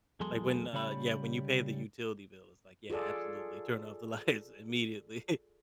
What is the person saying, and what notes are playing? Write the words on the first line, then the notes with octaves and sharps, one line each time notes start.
Like when, uh, yeah, when you pay the utility bill, it's like, yeah, absolutely, turn off the lights immediately.
E2 F#3 G#3 G#4 A4 C6
C#3 G3 C#5 B5
F4 G#4 A4 D5